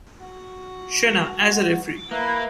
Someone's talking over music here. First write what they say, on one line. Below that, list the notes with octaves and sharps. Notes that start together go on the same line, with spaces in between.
Shena as a referee.
F#4
A#3 E4 B4